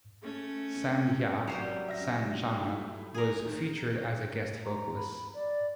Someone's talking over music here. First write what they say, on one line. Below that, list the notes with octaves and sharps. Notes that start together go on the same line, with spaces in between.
Sandhya Sanjana was featured as a guest vocalist.
A3 C#4
G#1 F#3 G3 C#4 G4 C7
E5 F6 A#6
A3 E4
G#4 A#4
D#3
A#5
B5
D5